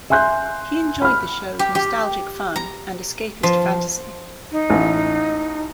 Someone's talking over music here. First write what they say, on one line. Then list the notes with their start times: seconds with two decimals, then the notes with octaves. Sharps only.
He enjoyed the show's nostalgic fun and "escapist fantasy".
0.10 E5 G#5 C6 F#6 G6
1.02 B5 F6
1.59 G4
1.75 G4
2.56 A#5
3.43 F3
4.52 D#4
4.70 A1